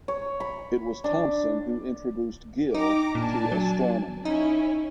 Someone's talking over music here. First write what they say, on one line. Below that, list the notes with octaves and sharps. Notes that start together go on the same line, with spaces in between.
It was Thomson who introduced Gill to astronomy.
C#5
B5
D4
D#4 G5 A#5 D6
A#2 D4 G#5 A5
F#3
C#4 D#4 E4